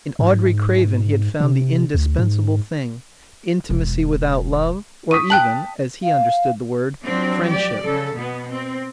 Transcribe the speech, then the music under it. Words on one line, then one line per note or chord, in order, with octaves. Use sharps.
In Audrey Craven he had found the indispensable thing--intimacy without love, or even, as he understood the word, friendship.
G#2
C3
D2
G#2
E1 B1
C#6 D#6 B6 D#7
G5 A5 F#6 F#7
F5
F3 F#3 C4 D4
G4 D5
C#3 A4
B2 B3
C4